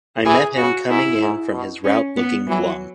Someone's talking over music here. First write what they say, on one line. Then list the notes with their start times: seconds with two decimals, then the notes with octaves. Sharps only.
I met him coming in from his route looking glum.
0.25 E3 G#4
0.57 C#3 F#4
0.89 G#2 E4
1.21 G#2
1.53 B2
1.84 C#4
2.17 B3
2.47 E3 F#3